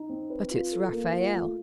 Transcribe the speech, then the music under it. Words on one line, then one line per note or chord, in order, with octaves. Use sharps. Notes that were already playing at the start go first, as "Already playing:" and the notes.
"But it's Raphael."
Already playing: D#4
C4
B4
F4
A4
A#3
F4
A3